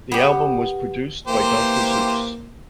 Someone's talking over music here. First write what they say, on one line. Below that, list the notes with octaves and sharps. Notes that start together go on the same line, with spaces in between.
The album was produced by Dr Zeus.
B3 G4
E3 A#3 G4 C5